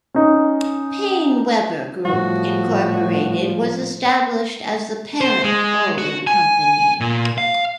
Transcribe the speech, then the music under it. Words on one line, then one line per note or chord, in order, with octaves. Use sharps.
PaineWebber Group Incorporated was established as the parent holding company.
C#4 D#4
A2 F3 G3 F#4
C5
G#3
F#4
G#5
A#2
F5